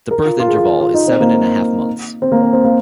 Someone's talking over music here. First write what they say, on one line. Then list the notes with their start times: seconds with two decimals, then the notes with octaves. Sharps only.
The birth interval is seven and a half months.
0.11 A#4
0.25 F4
0.40 F4
0.47 G#4
0.56 F4
0.80 F4
0.94 D#4
1.07 C4
1.20 A#3
2.22 C4
2.32 A#3
2.42 C4
2.53 C4
2.64 A#3